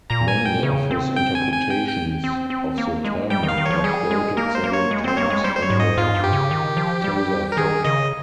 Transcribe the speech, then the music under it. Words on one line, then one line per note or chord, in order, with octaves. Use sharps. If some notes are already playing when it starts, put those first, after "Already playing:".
Many of his interpretations of the Talmud are quoted several times in the Tosafot.
A#2 A#5
G#5
G5
C#3
C4
G5
G#5
G#5
G5
G5
C4
C4
A#3
G#3
G3 G5
D#3
F5
D#3
F3 C#5
G3 G#4
G#3
A#3 A#4
C5
A#3
C#5
G#3
C4 C5
A#3 C#5
G#3
G3 C5
C5
C#5
G#2
D#5
G#2 F4
G2
G4
C#3
D#3
F3
G3
A#4
D#3 G#4
C#3 D#5